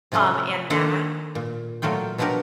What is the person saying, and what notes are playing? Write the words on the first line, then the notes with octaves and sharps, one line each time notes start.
um, and that
C3 F3 A3 C#4 G#4
D#3 A#3 D4 A4 C5 D5
A#2
A#2 F#3 A3 F4 G5
B2 F3 F#3 D4 G4 A#4